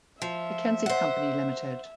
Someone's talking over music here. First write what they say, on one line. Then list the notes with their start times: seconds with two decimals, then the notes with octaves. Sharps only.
McKenzie Company, Limited.
0.22 F3 E5
0.86 C5 F#5